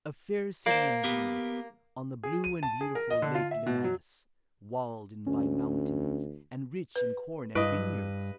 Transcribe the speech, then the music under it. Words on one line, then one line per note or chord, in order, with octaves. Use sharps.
"A fair city indeed, on the blue and beautiful Lake Lemanus, walled in by mountains, and rich in corn and vineyards."
A#3 C5 D5
B3 G4 A#4
G#4
D#7
A5
G#4
A#4
D#5
D3
F4
E5
B2
F#3
D2 C#4
B4
G2 E4 B4 D#5